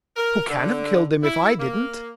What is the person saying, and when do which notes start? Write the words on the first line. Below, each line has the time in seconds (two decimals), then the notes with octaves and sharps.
Who can have killed him if I didn't?
0.17 A#4
0.49 D3
1.23 E4
1.59 A#3